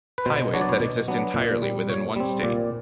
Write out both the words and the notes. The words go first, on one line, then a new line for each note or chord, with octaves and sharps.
Highways that exist entirely within one state.
B4
B2 C5
F#3 B3 D4 C#5
D5
C#5
B2
F#3 B3 D4
A#2
G3 C4
A#2 C#5
G3 C4
A#2 D5